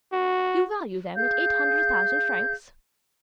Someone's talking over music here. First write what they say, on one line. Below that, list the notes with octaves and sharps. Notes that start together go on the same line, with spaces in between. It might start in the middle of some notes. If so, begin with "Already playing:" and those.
"You value them at eight hundred thousand francs?"
F#4
G#4 F5 G6